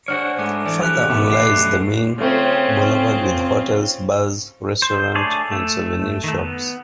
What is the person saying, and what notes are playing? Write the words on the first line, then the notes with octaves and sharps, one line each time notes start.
Further on lies the main boulevard with hotels, bars, restaurants and souvenir shops.
D4 F#4 G#4 C5 C#5 F6
G#2 A3 B4 G#5 D6
E3 C5 D5
F#4 G4 F#6 F7
B2 A3 B3 D6
A3 G4 D5 D6 C7
C#3 A3 C4 F4
C5
A3 D4 G#4 C#5 D5
A3
D#3 A3
B3